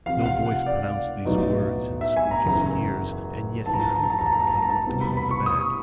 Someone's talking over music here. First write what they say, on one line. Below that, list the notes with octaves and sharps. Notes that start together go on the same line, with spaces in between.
No voice pronounced these words in Scrooge's ears, and yet he heard them when he looked upon the bed.
C#2 C3 F3 F5
F#5
F5
F#5
D5
B1 A2 F#3 B3 D#4
E5
G#5
A#5
F#1 E2 C#3 A#5
A#1 G#2 E3 A5
A#5
A5
A#5
A5
A#5
A5
A#5
A5
A#5
A5
A#5
A5
A#5
A5
C2 B2 G3 B3
B5
B5
C#6
D#6